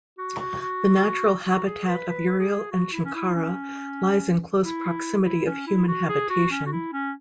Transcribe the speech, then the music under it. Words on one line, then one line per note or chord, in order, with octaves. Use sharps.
The natural habitat of urial and chinkara lies in close proximity of human habitation.
F#4
F#4
F#4
F#4
G#4
B4
B4
G#4
F#4
E4
C#4
E4
C#4
E4
E4
C#4
E4
F#4
G#4
F#4
C#4
F#4
E4
C#4